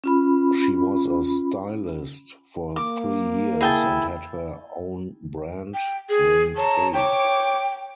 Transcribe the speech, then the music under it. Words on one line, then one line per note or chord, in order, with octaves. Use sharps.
She was a stylist for three years and had her own brand, named A.
C#4 F4 B5
A#3 D6
E4 G#4 G5 A5
G5
G#4
C#5 A5 A#5
C#5 G5 D6